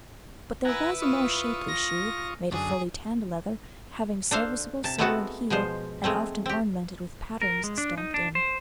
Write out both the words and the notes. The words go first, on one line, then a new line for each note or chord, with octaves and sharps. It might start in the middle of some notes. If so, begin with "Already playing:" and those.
But there was a more shapely shoe, made of fully tanned leather, having serviceable sole and heel, and often ornamented with patterns stamped in.
E4 B4 F#5 G#5 A#5
F4 C#6 D#6
A#6
F#2 D3 G#4
D4 A4 C5 F5
C3 A5
G#3 A3 B3 C4 F#4 A4
B2 F3 G#3 C5
G#3 A3 C4
C4 G4
A#4
G#3
D4
D#4
D4
C5